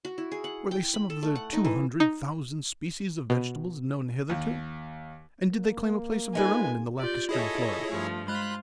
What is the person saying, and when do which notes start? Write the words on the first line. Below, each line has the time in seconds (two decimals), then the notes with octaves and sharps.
Were they some of the two hundred thousand species of vegetables known hitherto, and did they claim a place of their own in the lacustrine flora?
0.05 F#4
0.18 E4
0.32 G#4
0.44 F#5
0.71 G5
0.94 B5
1.10 A4
1.23 A3
1.35 F#5
1.53 D#4
1.65 E3
2.00 D#4
3.30 B2
4.29 D#2
5.51 A#3
6.35 G#3 D#4 F4 G4 A4 B4 G#5
6.99 F4 G4 D5 G6
7.29 E4 G#4 A4 C#5 D#5 E5
7.89 G2 F3 A3
8.28 G#3 F4 C5 B5 F#6